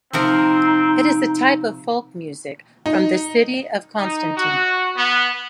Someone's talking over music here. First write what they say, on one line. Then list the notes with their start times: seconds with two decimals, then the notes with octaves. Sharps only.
It is a type of folk music from the city of Constantine.
0.13 C3 F3 C4 D#4 A#4
2.86 D#4
4.00 D#4
4.37 F#4
4.97 B3